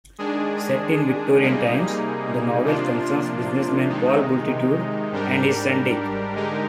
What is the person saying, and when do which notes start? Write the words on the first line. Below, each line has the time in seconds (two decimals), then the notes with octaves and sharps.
Set in Victorian times, the novel concerns businessman Paul Bultitude and his son Dick.
0.18 D#3 G#3 D4 G#4
1.42 C3 G3 A#3 D#4 G#4
2.65 C3 F3 A#3 D4 F4
3.89 C3 D#3 G#3 D#4
5.11 G#2 G3 D4 G4 A#4
6.35 D3 G#3 D#4 G4 A#4